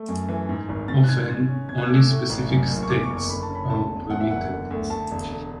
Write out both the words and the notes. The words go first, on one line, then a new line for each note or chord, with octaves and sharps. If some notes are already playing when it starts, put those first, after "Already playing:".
Often, only specific states are permitted.
Already playing: A3
F#2
E3
G#2
G#1
G#2 A6
F#6
G#1 G#6
G#6
C#3 A6
C#4
E2 G#6
F#6
G#6
A3 D6
E6
A2
A1
F#2
F#1
C#6
E2 D6
C#6
F#1
C#6
D3 B5
A5
C#4 B5
D2 A5
E1
E2 F#5
E5
F#1 F#5
D3
D2
D2 A5
E1
D3